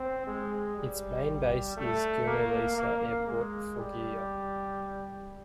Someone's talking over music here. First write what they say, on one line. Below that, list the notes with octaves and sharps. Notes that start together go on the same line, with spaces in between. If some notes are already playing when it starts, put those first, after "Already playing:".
Its main base is Gino Lisa Airport, Foggia.
Already playing: C4
G#3
G3
A3
A#3
A#3
G#3
G3